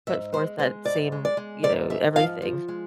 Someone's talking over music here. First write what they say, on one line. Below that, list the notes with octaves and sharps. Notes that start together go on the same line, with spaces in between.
put forth that same, you know, everything.
G#2 E5
G#3 C5
G#3 C5
G#2 D5
G#3
D5
G#3
G#2 D5
G#2 E5
F3 F5
F3
G#3